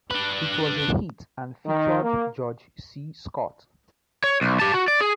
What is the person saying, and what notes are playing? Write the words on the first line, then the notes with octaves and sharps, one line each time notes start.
It was a hit and featured George C. Scott.
D4 B4
D#3
A#3
C#5
B1
G4 A5
F#4
D5
G#4